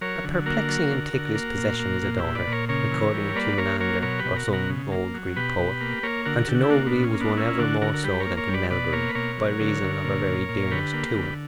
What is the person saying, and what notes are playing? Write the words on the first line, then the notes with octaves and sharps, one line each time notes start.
"A perplexing and ticklish possession is a daughter," according to Menander or some old Greek poet, and to nobody was one ever more so than to Melbury, by reason of her very dearness to him.
F#3 A#4 C#5
D3
A#3 F#4 A#4
F#3
D3
D3
A#3
A#2
A#3
A#2
E4 G4
A#2
B4 D5
A#2
A#4 C#5
C#3 A#4 C#5
E3
G3
A#3 B4 D5
A#3 A#4 C#5
F#3 A#4 C#5
B2 A#4 C#5
G4 B4
B2
F#4 A#4
B2
F#4 A#4
C#3
A#3
F#3
B2 G4 B4
B2
A#3
A#3 A#4 C#5
D3 F#4 A#4
D3 G4
F#4
E4 G4
A#3 D4 F#4
B3 D4
A#2
C#4
A#3
B3 D4
A#3 C#4 E4
D3 D4 F#4
D3 F#4 A#4
A#4
G3 G4 B4
A#4 C#5
A#3
A#4 C#5
G3
B4 D5
B2 B4 D5
A#3 A#4 C#5
B4
B2 A#4 C#5
F#3
D3
D3
A#2
A#2
A#2
D3 G4 B4
A#3
D3